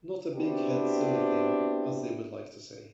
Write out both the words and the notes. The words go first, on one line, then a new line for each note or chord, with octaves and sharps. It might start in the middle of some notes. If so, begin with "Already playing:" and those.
Not a big-head silly thing, as they would like to say.
B3 C4 D4 E4 F#4 G4